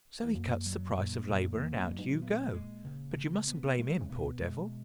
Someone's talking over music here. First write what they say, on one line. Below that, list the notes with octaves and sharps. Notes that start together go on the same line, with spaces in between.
So he cuts the price of labour and out you go. But you mustn't blame him, poor devil.
E2
F#2 A#3
F#3
A#2
F#2 A#2
E2
A#3
F#2
F#3
G#2
B2
A#2 B3
G#3
C#3
C#3
B3
G#3
C#3
B2 B3
G#3